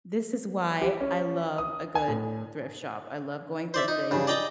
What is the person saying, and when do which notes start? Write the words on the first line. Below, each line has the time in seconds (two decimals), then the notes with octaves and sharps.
this is why I love a good thrift shop, I love going thrifting,
0.81 G4
1.00 C#4
1.58 D#6
1.95 G#5
2.08 A2
3.74 C5 D5 E5
3.88 D#4
4.11 G2 C#3
4.27 D5 D#5 G5 A#5 D6